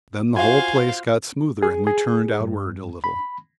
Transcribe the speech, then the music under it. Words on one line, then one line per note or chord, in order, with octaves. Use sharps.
Then the whole place got smoother and we turned outward a little.
F4 F#4 C5 F5 G#5
G#4
G#4
G2
B5